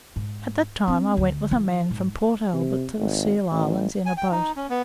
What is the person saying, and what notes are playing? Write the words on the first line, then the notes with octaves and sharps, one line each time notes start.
At that time I went with a man from Port Albert to the Seal Islands in a boat.
G#2
C4 D4
D2
E3
G#2
C3
G#1
A1
G#5
G5
D#4
C#4
B3